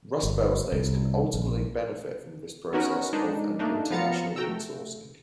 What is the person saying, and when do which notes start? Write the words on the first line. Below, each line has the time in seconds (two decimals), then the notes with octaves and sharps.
Rustbelt states can ultimately benefit from this process of an international insourcing.
0.23 G1
0.72 C2
1.34 A#1
2.73 B3 C#4 D#4 F#4 A#4 B4
3.13 G#3 D4 D#4
3.59 A3 A#3 D4 D#4
3.90 F3 B3 F5 A#5 A6 C#7
4.36 F#4 G5 A#5 E6
4.49 A3